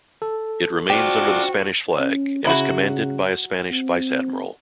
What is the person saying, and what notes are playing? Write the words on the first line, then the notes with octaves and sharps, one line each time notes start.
It remains under the Spanish flag and is commanded by a Spanish Vice Admiral.
A4
D4 F4 F#4 C5 G5
C#4
C#3 F#3 E4 F#4
C4